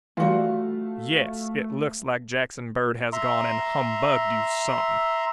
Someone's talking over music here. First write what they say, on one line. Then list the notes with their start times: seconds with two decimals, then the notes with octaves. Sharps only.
Yes, it looks like Jackson Bird has gone and humbugged you some.
0.17 E3 G3 A3 F4 F#4 F5
3.13 E5 A#5 C6